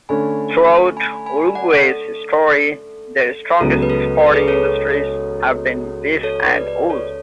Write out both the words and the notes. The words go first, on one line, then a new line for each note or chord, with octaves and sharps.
Throughout Uruguay's history, their strongest exporting industries have been beef and wool.
D3 A3 C#4 G#5 B5
G#5 B5
G#5 B5
D5 F#5
A4
C#2 C#3 F#3 B3 A4
B4
A4
B4
A4
G#4 B4
A4 C#5
A4 C#5
B4 D5
B4 D5
A4 C#5